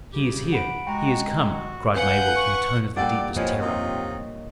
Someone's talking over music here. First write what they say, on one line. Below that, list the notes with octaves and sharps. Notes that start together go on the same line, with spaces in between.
"He is here!--he is come!" cried Mabel, in a tone of the deepest terror.
C#3 G3 G4
F#5 B5 D7
G#3 F#4 G5 A#5
F#4
B4 F5 F#5 G#5 G6
C#6
G2 A#2 A4 D5 F#5 G5
F2 E3 F3 A#3 C#5 D#5
C3 D#4 F4